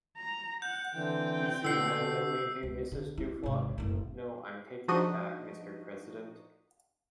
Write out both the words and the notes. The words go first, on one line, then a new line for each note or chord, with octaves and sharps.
Is the amendment maintained, Mrs Duflot? No, I’m taking it back, Mister President.
A#5
F#5 G6
D3 E3 C4 G5
B2 D3 E6 C7
C#2
D3
E4
G#1 C3
F#1 A2
F3 D4 D#4 F#4 D#5 D#7